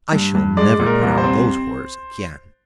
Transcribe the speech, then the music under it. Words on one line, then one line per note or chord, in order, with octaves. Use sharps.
I shall never put on those horrors again.
G2
G2
G#3 D5
A#2
A#4
C2
C5
C4